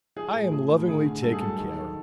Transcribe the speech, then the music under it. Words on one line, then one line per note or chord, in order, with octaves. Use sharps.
I am lovingly taken care of.
F3 G#4
A2
F3 G#4
A2
D3 G#4
D3
G2 A4
G#4
F#3 A4
D#3 A4
F#3